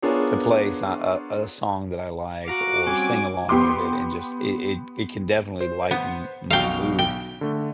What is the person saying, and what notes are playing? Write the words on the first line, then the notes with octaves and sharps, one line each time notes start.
to play so uh, uh, a song that I like or sing along with it and just it it it can definitely lighten m my mood,
B3 D4 F4 G#4 A#4 C#5
F#4 F5 A#5 D6
G3 C4 C#4 G#5
B3 G4 C6 D6
C5
B3
B1 F#4 F5 G5
G5
D3 A3